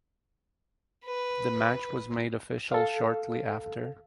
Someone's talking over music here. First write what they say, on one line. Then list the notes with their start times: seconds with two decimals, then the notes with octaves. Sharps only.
The match was made official shortly after.
1.05 B4
2.72 A4 F5